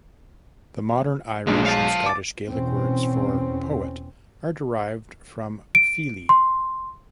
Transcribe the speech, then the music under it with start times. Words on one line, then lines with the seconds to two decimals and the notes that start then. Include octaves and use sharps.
The modern Irish and Scottish Gaelic words for "poet" are derived from "fili".
1.47 B1 G#3 A#3 D4
1.66 F5 A5
2.06 D6 A6
2.50 E2 B2 C4 C#4
5.75 D7
6.29 C6